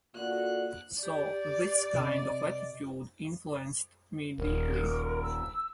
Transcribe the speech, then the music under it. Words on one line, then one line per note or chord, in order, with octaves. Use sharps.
So this kind of attitude influenced me deeply.
A#2 D3 F#4 D5 F#5 F#6
G4 D5
C3 D#5
D#1 A#4
E6